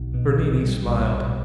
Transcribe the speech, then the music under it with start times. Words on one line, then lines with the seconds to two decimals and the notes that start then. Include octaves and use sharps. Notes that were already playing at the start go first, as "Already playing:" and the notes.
Bernini smiled.
Already playing: B1
0.14 B2
0.38 B1
0.63 G3
0.87 B1
1.11 B2